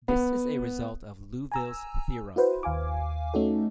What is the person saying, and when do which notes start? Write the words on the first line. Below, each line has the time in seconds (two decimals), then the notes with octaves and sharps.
This is a result of Liouville's theorem.
0.08 B3
1.52 G#5 A#5 E6
2.36 E4 F#4 B4 C5
2.63 D#2 F5 G#5 D6
3.34 A3 C#4 D#4 F#4 A4